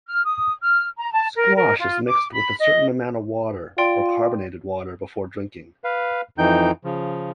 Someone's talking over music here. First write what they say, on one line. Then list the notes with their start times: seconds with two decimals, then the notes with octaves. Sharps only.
Squash is mixed with a certain amount of water or carbonated water before drinking.
0.08 F6
0.25 D#6
0.63 F6
0.97 A#5
1.12 A5
1.35 A#4
1.56 A#4
1.79 F4
2.07 D6
2.33 B5
2.59 D#5
3.78 F4 D5 G5 C6
5.84 B4 F5
6.38 F2 E3 D#4 G5 G6
6.84 C#3 F3